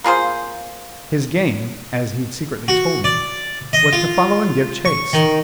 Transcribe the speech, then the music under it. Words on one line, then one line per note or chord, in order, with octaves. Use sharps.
His game--as he'd secretly told me--was to follow and give chase.
A#3 F4 G#4 C5
F#4
D5
D#5
F4
C#6
D#3